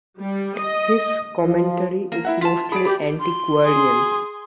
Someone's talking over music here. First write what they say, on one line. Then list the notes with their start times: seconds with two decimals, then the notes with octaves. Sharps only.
His commentary is mostly antiquarian.
0.20 G3
0.58 D#5
1.44 F3
2.12 A#3
2.25 E4 E5 F#5
2.41 F4 A5 B6
2.72 G#4 D5 B5 D7
2.85 G4 B5 D6
3.20 C6
3.64 G#4